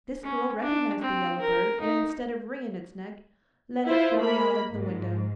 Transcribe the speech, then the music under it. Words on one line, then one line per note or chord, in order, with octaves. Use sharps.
This girl recognized the yellow bird, and instead of wringing its neck, let it fly out of the window.
C#4
D4
C4
A#4
D#4
E4 F4 C5
A#3 B5
G#2